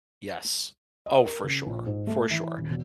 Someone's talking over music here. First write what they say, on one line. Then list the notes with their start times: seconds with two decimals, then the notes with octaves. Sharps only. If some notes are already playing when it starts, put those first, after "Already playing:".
Yes, oh, for sure, for sure.
1.06 D#5
1.26 A#4
1.44 C#3
1.66 A#1
1.86 G#2
2.07 A3
2.31 E3
2.58 D#1
2.70 E1